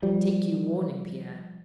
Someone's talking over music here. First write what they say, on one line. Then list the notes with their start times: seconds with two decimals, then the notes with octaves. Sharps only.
Take you warning, Pierre!
0.02 F3 G3